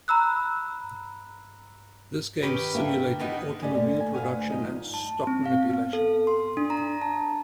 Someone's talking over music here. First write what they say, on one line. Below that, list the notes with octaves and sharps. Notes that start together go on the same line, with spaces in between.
This game simulated automobile production and stock manipulation.
A#5 B5 E6 F#6
D#3 C#4 G4 B4
D3 A#3 D4 E5 G5
A#3 B3 D#4 F6
A3 G4 A#4 D5 D#5 G#5
D3 A#3
G#5
D2 D#3 B4 F5 F#5 G#5
E2 G2 F3 D#4 G#4 D#5
A5
C4
F5
B3
A4
C6
D4
A#5
A5